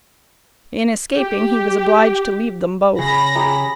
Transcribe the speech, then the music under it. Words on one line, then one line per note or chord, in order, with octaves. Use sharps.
In escaping, he was obliged to leave them both.
G4
C#3 G#4 B5 A#6
G4 G#4 A#5